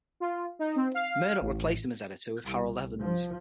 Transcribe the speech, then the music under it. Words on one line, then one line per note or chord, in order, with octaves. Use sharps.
Murdoch replaced him as editor with Harold Evans.
F4
D#4
C4
F5
A1
C2
F3